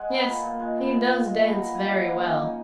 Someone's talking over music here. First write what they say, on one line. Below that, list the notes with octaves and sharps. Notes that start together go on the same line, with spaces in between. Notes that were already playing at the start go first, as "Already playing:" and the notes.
"Yes, he does dance very well."
Already playing: G#3 F#5 G#5
B3 B4
A#2 A#4
A#2
G#3
B3
A#2
A#2
G#3 F5
B3 F#5
B5
A#2 A#5
D#4 G#5
F#3 F#5
A#3 F5
C#3 D#5
D#4